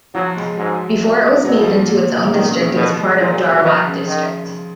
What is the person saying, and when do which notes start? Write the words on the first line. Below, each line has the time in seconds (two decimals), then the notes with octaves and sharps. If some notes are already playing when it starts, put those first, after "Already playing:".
Before it was made into its own district, it was part of Dharwad District.
0.14 F3 F#3
0.36 G#3
0.57 G#2 F#3
1.02 A#2
1.45 B2 F#3
1.60 F3
1.74 A#2
1.89 A#2
2.24 A#2
2.32 B2 D#3
2.47 C#3
2.61 D#3
2.76 B2 F3
2.98 G#3
3.19 A#2 F3
3.34 F#3
3.49 F#3
3.58 D#3
3.63 B2 F3
3.85 C#3
4.08 D#3